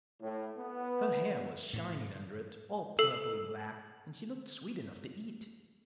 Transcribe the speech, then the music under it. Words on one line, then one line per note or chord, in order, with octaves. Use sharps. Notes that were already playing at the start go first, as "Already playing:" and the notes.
Her hair was shining under it, all purply-black, and she looked sweet enough to eat.
A2
B3
A2
A4 E6 C7 F#7